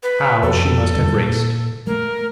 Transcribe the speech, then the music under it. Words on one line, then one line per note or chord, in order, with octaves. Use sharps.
How she must have raced!
B4
F2 A4
E2 D3 G3
A#2
G3 A3 A#4